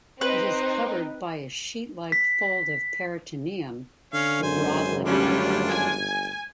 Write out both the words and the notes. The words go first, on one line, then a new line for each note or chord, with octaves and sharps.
It is covered by a sheet-like fold of peritoneum, the broad ligament.
C4 D#4 B4 C5
B6
D3 C#4 F5
G#1 F#2 C5 G#5
D2 G3 C#4 D4 F4
G1 G#5